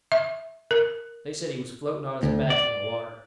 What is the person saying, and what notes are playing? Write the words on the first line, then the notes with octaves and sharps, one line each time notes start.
They said he was floating on his back in the water.
E5
A#4
D2
D5